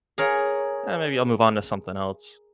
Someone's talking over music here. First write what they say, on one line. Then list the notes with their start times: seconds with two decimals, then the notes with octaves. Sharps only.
"Eh, maybe I'll move on to something else."
0.18 G#4 A#4 C#5